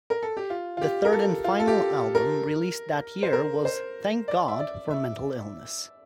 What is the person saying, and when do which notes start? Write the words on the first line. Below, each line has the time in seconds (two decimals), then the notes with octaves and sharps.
The third and final album released that year was "Thank God for Mental Illness".
0.10 A#4
0.23 A4
0.37 G4
0.50 F4
0.77 F4
0.81 G4
1.05 A#4
1.13 A4
1.44 F4
1.60 A4
1.67 G4
2.15 A#4
3.23 C5
3.33 A#4
3.65 C5
4.28 D5
4.48 E5
4.60 D5
4.91 E5